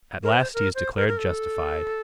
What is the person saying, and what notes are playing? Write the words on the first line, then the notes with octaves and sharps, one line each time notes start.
At last he is declared justified.
A#4
C5
A#4
C5
A#4
A#4
A4